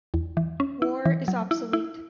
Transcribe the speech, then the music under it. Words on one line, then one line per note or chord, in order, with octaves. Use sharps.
War is obsolete.
E2
E3
C#4
E4
E3
F#3
E4
E4